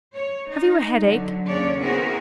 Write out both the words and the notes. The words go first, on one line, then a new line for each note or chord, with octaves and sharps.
Have you a headache?
C#5
D#4
D3 F#3
D#2 C#3 C#4 D4 C#5 D5
B3 C4 E4 F#4 G#4 A#4